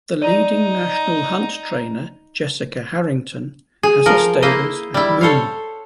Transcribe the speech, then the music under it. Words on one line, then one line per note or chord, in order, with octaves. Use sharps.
The leading National Hunt trainer Jessica Harrington has her stables at Moone.
D#4 D5 D#7
G#4
F3 A#4
A#3 E4 C5 D#5
G3 E4
A4 C5 C#5 F5